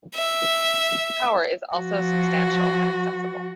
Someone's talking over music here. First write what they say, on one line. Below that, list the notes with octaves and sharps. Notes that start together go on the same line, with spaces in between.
Power is also substantial and accessible.
E5
F3 F#4